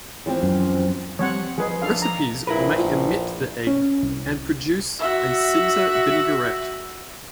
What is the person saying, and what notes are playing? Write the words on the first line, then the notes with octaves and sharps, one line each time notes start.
Recipes may omit the egg and produce a "Caesar vinaigrette".
E3 F3 C4
F#2
F3 G3 C4 C#5 F#5
F3 G#4 B4 D#5
D4 A4 F5
A#5
A#1 E4 A#4 B4
C#4
C2
F#4 E5